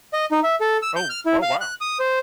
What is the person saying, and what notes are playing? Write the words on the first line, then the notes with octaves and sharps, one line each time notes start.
Oh, oh, wow.
D#5
D#4
E5
A4
E6
G6
F6
E4
F5
F#6
D#6
C5